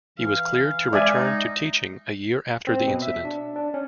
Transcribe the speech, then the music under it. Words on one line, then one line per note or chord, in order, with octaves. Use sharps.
He was cleared to return to teaching a year after the incident.
E3 F5
G#3 D5 E5 G#5
D#4
C4
B2
E5
D4
D4
C#4